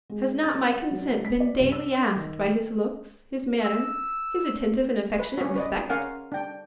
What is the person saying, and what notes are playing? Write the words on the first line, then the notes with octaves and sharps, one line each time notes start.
Has not my consent been daily asked by his looks, his manner, his attentive and affectionate respect?
G#3
A6
F#5
F#3
B6
D5
C2
E6
D#3
E6
B4
C#4 F#4
B4 D5 D#5
C#4 A#4 F5 F#5 G#5
D4 G5